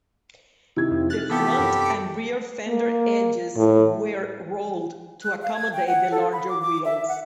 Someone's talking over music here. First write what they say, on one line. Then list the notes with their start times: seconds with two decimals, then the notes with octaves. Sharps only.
The front and rear fender edges were rolled to accommodate the larger wheels.
0.77 C3 D#3 E4 G#6
0.91 F2
1.10 F6 F#6 A6
1.30 E3 F3 B3 G4 A4 B5
1.59 F#2 A#4
1.82 D6 C#7
2.67 A#3
3.57 A2
5.22 F#6
5.42 F5
5.55 G#6
5.73 G5
5.88 F#5
6.12 A4
6.33 B5
6.48 D6
6.62 D6
6.85 E5
7.08 F#5